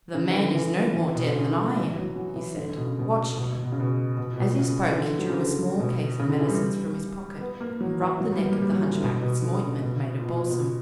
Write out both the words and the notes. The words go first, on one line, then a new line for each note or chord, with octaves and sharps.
"The man is no more dead than I am," he said; "watch me." As he spoke he drew a small case of medicines from his pocket and rubbed the neck of the hunchback with some ointment made of balsam.
C#3
E3
D3
E3
E3
B2
D3
C#3
E3
F#3
F#3
E3
D3
B2
C#3
B2
B2
B2
C#3
B2
B2
A#2
B2
C#3
E3
D3
F#3
C#3
D3
B2
C#3
D3
E3
G3
B3
A#3
F#3
E3
F#3
G3
G3 B3
A#3
G3
F#3
E3
D3
B2
B2
D3
C#3
B2
A#2
B2
A#2
B2